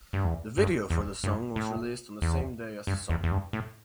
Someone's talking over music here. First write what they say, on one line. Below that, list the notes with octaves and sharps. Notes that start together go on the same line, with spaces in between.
The video for the song was released on the same day as the song.
G2
E2
G2
E2
G2
A2
E2
G2
E2
E2
G2
A2